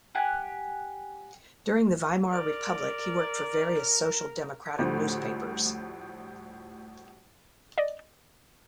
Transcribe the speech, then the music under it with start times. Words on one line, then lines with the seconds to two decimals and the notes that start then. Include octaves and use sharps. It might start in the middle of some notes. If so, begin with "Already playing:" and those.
During the Weimar Republic, he worked for various social democratic newspapers.
0.15 G4 F#5 G#5
2.31 A#4 D5
4.78 D2 A2 F3 G3
7.78 D5 D#5